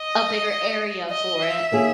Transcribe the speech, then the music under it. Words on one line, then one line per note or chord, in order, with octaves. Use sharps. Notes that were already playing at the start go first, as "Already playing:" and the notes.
a bigger area for it,
Already playing: D#5
D#5
E5
D#3 A#3 C#4 G#4